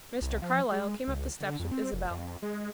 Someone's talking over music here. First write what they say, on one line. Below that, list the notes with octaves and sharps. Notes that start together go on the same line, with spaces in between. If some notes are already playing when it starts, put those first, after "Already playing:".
Mr. Carlyle came up the steps with Isabel.
C2
F3
G#3
C#2
D3
F2
C4
F1
F2
G#3